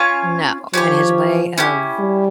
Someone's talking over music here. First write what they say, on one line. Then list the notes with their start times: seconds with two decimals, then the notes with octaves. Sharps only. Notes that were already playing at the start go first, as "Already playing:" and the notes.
No. And his way of
Already playing: C#4 F4 C#5
0.74 F3 C#4 G4 C#5
1.58 C#4 E4 G4
1.99 G3